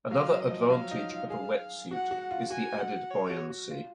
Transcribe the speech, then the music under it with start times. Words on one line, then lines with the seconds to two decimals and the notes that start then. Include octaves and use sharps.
Another advantage of a wetsuit is the added buoyancy.
0.11 F#3 F5
0.30 F#3
0.40 D#5
0.51 F3
0.70 F#3 F5
0.91 D#4
1.10 F4
1.30 G#4 F5
1.91 F#4 F#5
2.11 F#4
2.20 F#5
2.31 F4
2.50 F#4 G#5
2.80 F#5
3.11 C#5
3.30 F#4
3.50 F#4
3.70 F4